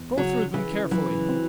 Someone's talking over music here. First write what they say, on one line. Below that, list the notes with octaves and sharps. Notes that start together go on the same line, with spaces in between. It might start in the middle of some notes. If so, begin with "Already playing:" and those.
Go through them carefully.
Already playing: E2
C#3 F#3
C#3 E3
E3 F#3
C4